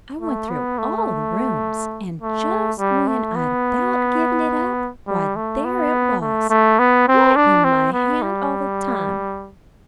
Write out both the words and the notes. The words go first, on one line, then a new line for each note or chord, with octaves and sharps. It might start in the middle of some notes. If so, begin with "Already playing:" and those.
I went through all the rooms, and just when I'd about given it up, why, there it was, right in my hand all the time!
A3
B3
A3
A3
G3
A3
B3
G3
A3
B3
A3
A3
B3
C4
D4
C4
B3
G3